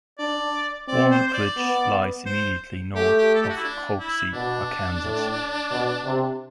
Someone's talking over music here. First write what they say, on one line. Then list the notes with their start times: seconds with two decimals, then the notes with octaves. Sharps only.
Walnut Ridge lies immediately north of Hoxie, Arkansas.
0.19 D4 D5
0.88 C4 D5
1.11 C5
1.28 C5
1.34 D5
1.57 B3
2.26 C5
2.95 A3 G4
3.17 G4
3.35 A4
3.42 G4
3.50 F#4
3.57 E4
3.64 D4
3.99 E4
4.33 B2 D4
5.02 A2
5.71 B2
6.05 C3